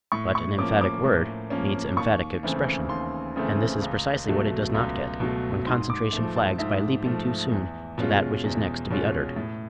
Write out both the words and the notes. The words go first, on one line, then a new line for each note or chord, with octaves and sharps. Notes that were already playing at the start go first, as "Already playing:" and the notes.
But an emphatic word needs emphatic expression, and this is precisely what it does not get when concentration flags by leaping too soon to that which is next to be uttered.
A2 C#6
C#6
F3 A#3 C#4 D6
D6
A2
F3 A#3 C#4
D#2 C#6
C#3 E3 A3 C4
D#2 C6
C#3 E3 A3 C4
C#2
B2 F#3 A3
C#2
B2 F#3 A3
G#2 C6
D6
F3 A3
A5
G#2 E5
F3 A3
E2
B2 G#3 C#4 F4
E2
B2 G#3 C#4 F4
A2